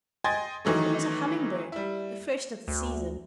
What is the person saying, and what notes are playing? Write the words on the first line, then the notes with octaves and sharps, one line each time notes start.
It was a humming-bird,--the first of the season.
D#5 G5 G#5 C6 G#6 A6
D#3 E3 F#3 A3
G3 E4
D2